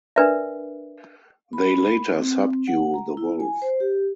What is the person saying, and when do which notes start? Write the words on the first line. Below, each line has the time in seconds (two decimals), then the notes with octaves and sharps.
They later subdue The Wolf.
0.16 D4 A#4 B4 D5 E5
1.53 B5
2.18 C4
2.67 F#5
2.94 A#5
3.17 E4
3.40 G#5
3.62 C5
3.80 G4